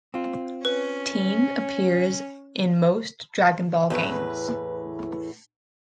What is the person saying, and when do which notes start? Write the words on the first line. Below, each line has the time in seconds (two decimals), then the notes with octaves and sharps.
Tien appears in most "Dragon Ball" games.
0.14 C4 F4
0.65 C#4 B4
3.90 E2 A2 B4